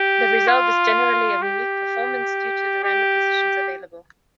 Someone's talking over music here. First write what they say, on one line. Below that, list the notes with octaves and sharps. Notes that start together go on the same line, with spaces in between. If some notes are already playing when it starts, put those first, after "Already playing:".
The result is generally a unique performance, due to the random positions available.
Already playing: G4
F4
G4
G4